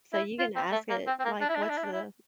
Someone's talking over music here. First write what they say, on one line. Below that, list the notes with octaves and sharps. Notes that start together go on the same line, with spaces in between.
So you can ask it, like, "What's the"
E4
F4
C4
A3
A#3
C4
C4
A#3
D4
E4
D4
E4
D4
E4
D4
E4